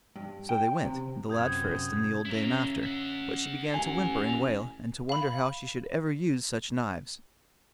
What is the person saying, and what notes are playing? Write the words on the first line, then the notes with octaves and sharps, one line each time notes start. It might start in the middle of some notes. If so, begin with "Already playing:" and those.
So they went, the lad first and the old dame after, but she began to whimper and wail, and to wonder how she should ever use such knives.
G2
G5
C3
F#2 C3 D#6 G6 G#6
C#3 E4 A#4
E5 F#5
A1 G#5
F5 B5